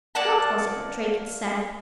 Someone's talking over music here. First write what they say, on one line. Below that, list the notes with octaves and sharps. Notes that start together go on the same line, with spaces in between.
What was it that Drake had said?
A#3 D5 F#5 A5